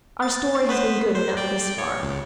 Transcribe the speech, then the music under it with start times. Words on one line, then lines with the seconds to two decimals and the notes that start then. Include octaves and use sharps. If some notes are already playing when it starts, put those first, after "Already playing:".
Our story has been good enough, thus far.
0.22 A6
0.69 B3 B4 C5
1.15 C5
1.37 D5 G5
1.78 C#5
2.03 C#2